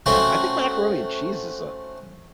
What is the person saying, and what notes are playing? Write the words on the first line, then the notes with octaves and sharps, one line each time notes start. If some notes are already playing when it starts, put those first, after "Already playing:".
Uh, I think macaroni and cheese is a
A3 C4 C#4 F#4